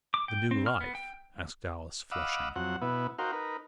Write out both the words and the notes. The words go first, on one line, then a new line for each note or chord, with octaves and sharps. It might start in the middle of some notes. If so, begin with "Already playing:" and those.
"The new life?" asked Alice, flushing.
D6
G5
C4
F6
B3
G5
D#5 F5 F#5 B5 D6 E6
F2 F#3 C4 F#5
B2 B3 E4
D#4 F#4 A#4 C5 F5 G5
D#4 A#4 B4